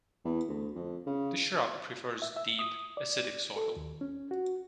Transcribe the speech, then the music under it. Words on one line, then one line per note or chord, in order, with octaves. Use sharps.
The shrub prefers deep, acidic soil.
E2
D2
F2
C#3
E5
E5
D#6
D5
A4
D#2
C#4
F#4